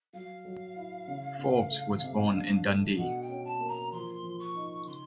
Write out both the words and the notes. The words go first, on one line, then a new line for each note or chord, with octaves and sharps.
Forbes was born in Dundee.
F#3 F5
F#3
E4
C#3
C#3
A3
C3
D4
A3
B2 F#5
G5
C#4
A5
A#3
A#5
F3 C6
F3
C#6
D#4
C#3 C6